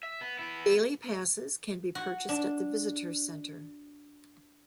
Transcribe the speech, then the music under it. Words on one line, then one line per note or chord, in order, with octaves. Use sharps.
Daily passes can be purchased at the visitors center.
E5
B3
B3 E4
F#4
D4